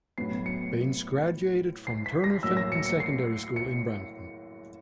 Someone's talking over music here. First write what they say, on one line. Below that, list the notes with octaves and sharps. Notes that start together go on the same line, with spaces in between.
Bains graduated from Turner Fenton Secondary School in Brampton.
A2 F#3 B3 C7
C#7
C7
B6
A#6
A2 F#3 A#3 E6
A#6
C#7
C#7
C7
C#7